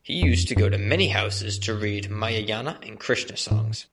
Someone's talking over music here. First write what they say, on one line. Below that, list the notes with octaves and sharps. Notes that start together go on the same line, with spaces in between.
He used to go to many houses to read Ramayana and Krishna songs.
F2
G2
A2